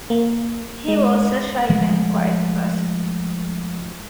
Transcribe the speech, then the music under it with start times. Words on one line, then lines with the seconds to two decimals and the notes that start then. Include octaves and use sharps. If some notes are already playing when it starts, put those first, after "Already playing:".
He was a shy and quiet person.
0.10 A#3
0.88 G#3
1.69 F3 G#3 A3